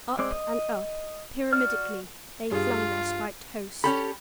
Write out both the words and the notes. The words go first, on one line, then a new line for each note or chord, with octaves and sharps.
Up and up, pyramidically, they flung their spiked hosts.
G#3 C4 D5
D#5
F#4 D5 F6
G2 F4 G#4
C#4 G4 A4 B5